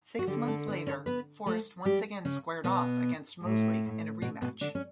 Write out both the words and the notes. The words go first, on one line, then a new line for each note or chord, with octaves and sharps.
Six months later, Forrest once again squared off against Mosley in a rematch.
F#4
D3 G3 G4
A3 A4
B3 B4
C#4 C#5
B3 B4
A3 A4
G3 G4
C#3 C#4
B2 B3
A2
B2 B3
B2 B3
D3 D4
C#4